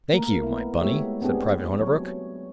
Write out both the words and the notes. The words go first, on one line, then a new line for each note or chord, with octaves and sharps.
"Thank you, my bunny," said Private Hornabrook.
A3 A#3 A#4
B3 E4
G#3 A3 B3 G4 C#5 E5
B3 C4 D4 G4 G#4
F#3 C#5